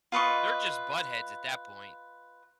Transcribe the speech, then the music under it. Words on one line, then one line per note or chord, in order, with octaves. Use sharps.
they're just buttheads at that point.
F4 B4 D#5 C#6